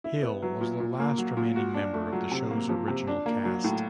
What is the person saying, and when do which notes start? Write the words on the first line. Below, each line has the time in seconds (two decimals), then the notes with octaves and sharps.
Hill was the last remaining member of the show's original cast.
0.04 E4
0.23 B3
0.42 F#3
0.61 A#2
0.80 A#2
1.00 A#3
1.18 F#3
1.37 A#2
1.56 F#4
1.74 D4
1.94 A3
2.12 F#3
2.32 C3
2.51 A#3
2.69 F3
2.88 C3
3.07 D4
3.26 A#3
3.45 F#3
3.64 A2